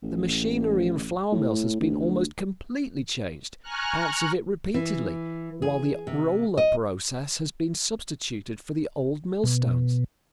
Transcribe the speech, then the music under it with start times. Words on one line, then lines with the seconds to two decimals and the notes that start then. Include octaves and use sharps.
The machinery in flour-mills has been almost completely changed, parts of it repeatedly, while the roller process has been substituted for the old millstones.
0.03 A1
1.32 A2
1.80 D2
3.62 G#5 A#5 C#6 F6 F#6
4.74 E3
5.62 G#4
6.07 C3
6.57 D#5
9.44 B2